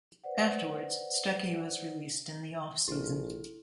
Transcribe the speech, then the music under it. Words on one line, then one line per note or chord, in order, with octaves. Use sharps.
Afterwards, Stuckey was released in the offseason.
B4 C5 D5 F#5
A#1 E4 A4